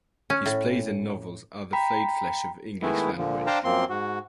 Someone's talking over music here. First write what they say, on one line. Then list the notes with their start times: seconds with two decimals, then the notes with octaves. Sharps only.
His plays and novels are the flayed flesh of English language.
0.30 C#4
0.46 A2
1.73 G5 A#5 B5 B6
2.82 D#3 G#3 A3 B3 E4
3.17 A#2 D3 F3
3.47 D4 C5 F5 G5 A5 A#5
3.64 F#2 F3 A#3 C4 C6
3.89 G#2 F#4